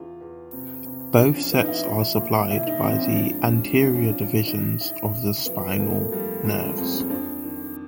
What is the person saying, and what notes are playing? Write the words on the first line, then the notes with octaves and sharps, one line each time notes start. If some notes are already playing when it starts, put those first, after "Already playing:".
Both sets are supplied by the anterior divisions of the spinal nerves.
Already playing: E2 C#3 E3 F4
E2
C3
C3
F3 D4
C#4
F3 B3
D#4
E4
F3
A#2
C2 E4
D#4
F3 C4
C#4
G#2 D4
G#2 C#4
F3 D4
C#4
D4
F3
F#2 D#4
C#3 E4
C#3
F3 B3
A3
F2 A#3
A3
F3 G3
F3 G#3
C#4
F2 C4
C#4
F2 D4
D#3